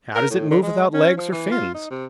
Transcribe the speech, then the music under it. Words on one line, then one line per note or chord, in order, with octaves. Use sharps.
How does it move without legs or fins?
A#4
A2
D3
G#3
C#4
F3
E3
F4
D#4
C3